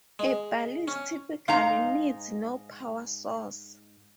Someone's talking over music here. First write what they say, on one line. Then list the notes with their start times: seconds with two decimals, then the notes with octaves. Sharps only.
A balise typically needs no power source.
0.19 G#3
0.88 C#4
1.48 G#2 D#4 F5 A#5